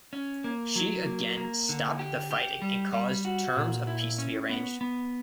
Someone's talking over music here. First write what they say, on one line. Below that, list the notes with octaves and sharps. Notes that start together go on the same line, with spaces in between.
She again stopped the fighting and caused terms of peace to be arranged.
C#4
A#3
F#3
A#3
A#3
D3
G4
G4
G3
G3
F#4
A#2
E4
C#4
B3
B3